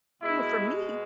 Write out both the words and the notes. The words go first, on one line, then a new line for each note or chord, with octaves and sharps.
You know, for me,
B2 G#3 E4